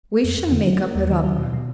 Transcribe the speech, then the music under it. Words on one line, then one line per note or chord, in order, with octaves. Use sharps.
We shall make up a rubber.
F2
F2
D3
F#3
A#3
D#2
D#3
F#3
B2
B2